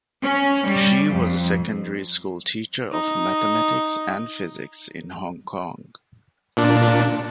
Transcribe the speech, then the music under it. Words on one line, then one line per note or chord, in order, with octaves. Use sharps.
She was a secondary school teacher of mathematics and physics in Hong Kong.
C#4
G3
F2
D#4
A#2 D4